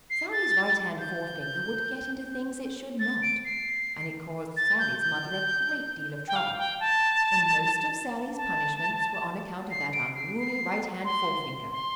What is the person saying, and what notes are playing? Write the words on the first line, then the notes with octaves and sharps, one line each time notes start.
Sallie's right-hand forefinger would get into things it should not, and it caused Sallie's mother a great deal of trouble, and most of Sallie's punishments were on account of that unruly right-hand-forefinger.
C7
A6
G6
A6
D7
C7
A6
G6
G6
G5
F5
G5
A5
A5
C7
D7
C7
C7
C6
C6